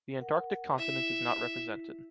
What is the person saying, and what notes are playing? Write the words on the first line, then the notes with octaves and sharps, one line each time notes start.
The Antarctic continent is not represented.
A#4 F#5
E4 E5